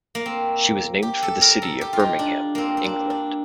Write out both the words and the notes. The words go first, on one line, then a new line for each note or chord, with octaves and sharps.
She was named for the city of Birmingham, England.
A#3
C4
G4
A4
A#4
A4
G4
F4
D#4
D4
A#3 C4
C4
D4
D4